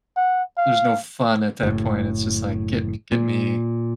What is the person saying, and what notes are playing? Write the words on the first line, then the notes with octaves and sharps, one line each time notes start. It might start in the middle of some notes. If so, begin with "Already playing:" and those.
there's no fun at that point, it's just like, "Get me get me
F#5
F5
F#1 A2
A#2